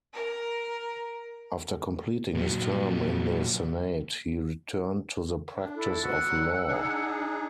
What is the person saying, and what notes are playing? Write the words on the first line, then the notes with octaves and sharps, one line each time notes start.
After completing his term in the Senate, he returned to the practice of law.
A#4
A#2 F#3
D4
E4 A4
A2 B3 F#4 F#5 E6 F#6
F#3 G3
D4 D#4 G#4